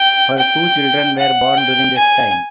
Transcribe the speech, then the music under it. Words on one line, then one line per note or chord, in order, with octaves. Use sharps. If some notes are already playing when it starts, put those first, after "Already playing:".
Her two children were born during this time.
Already playing: G5
G5
F#5
G5
G#5